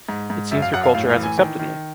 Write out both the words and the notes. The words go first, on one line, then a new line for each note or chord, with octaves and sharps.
It seems your culture has accepted me.
G#2
G#2
F#2 E5
F5
F#2 F#5
F5
A2 F5
F5
E3
G#5
D#3
D#3